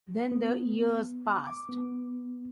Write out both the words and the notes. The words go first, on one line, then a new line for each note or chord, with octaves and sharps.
Then the years passed.
B3
D6
B3